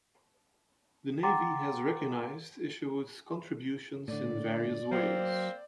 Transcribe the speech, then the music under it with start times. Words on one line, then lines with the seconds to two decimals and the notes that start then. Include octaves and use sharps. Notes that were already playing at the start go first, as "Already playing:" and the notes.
The Navy has recognized Isherwood's contributions in various ways.
1.23 F#5 G5 A#5 C6 D6 A6
4.08 A2 D3 D5
4.91 F#3 A#3 C4 C5